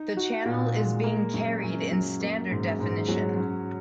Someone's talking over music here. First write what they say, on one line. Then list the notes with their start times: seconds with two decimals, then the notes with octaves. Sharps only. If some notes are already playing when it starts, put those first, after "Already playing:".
The channel is being carried in standard definition.
Already playing: D#4
0.17 F#4
0.45 A#2
0.75 G#3
1.04 A#3
1.34 F#2
1.63 F#2
1.91 F#3
2.21 A#3
2.51 G#2
2.80 G#2
3.09 F#3
3.38 C#4